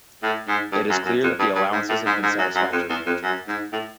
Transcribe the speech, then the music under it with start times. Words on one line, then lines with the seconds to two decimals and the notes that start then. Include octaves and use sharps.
It is clear that the allowances have been satisfactory.
0.23 A2
0.48 G#2
0.72 G2
0.90 F#2
1.06 F#2
1.23 F2
1.39 G2
1.56 G2
1.73 G#2
1.89 A2
2.06 G#2
2.23 G#2
2.39 F#2
2.55 F#2
2.72 F2
2.90 E2
3.06 F2
3.23 F#2
3.48 G#2
3.72 A2